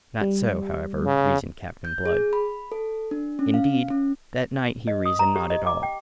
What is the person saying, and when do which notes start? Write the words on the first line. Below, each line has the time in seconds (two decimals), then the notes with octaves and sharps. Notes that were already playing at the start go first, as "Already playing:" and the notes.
Not so, however, reasoned Captain Blood. Indeed, that night he reasoned not at all.
0.21 G3
1.06 C#3
1.85 G6
2.06 G#4
2.33 B5
2.72 A4
3.11 D4
3.39 C#4
3.54 F5
3.90 C#4
4.87 D#5
5.06 D#6
5.19 A#5
5.36 G4
5.50 D#5
5.67 D6
5.83 G5